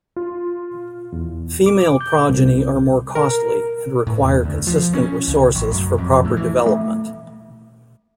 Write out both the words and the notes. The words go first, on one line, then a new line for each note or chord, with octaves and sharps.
Female progeny are more costly and require consistent resources for proper development.
F4
E2
D6
G6
C2
A#4
A2
E2
D2
F3
C#4
C#2
A1
F#2
F2
A2
E3
A3